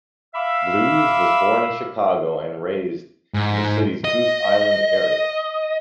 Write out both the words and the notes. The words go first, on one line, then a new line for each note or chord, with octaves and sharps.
Bluege was born in Chicago and raised in the city's Goose Island area.
E5 F5 B5 D6 E6
G#2
D#5